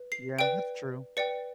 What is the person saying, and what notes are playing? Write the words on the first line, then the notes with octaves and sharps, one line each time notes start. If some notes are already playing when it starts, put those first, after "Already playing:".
Yeah, that's true.
Already playing: B4
C7
B4 D5 G5 D7
B4 D5 G5 C#7